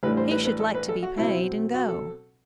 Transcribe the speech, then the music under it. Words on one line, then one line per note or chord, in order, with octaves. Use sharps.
He should like to be paid, and go.
A1 A2 G3 D4 B4
C5
B4
B4
A4
B4
A4
F#4
B2 F#3 C4 E4
F#4
A4